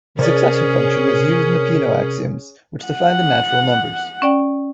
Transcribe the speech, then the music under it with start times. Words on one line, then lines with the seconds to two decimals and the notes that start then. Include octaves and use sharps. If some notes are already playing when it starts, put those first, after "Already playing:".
The successor function is used in the Peano axioms which define the natural numbers.
0.19 C3 C#4 G#4 A#4 D5
2.84 F#5
4.22 C#4 D5 G5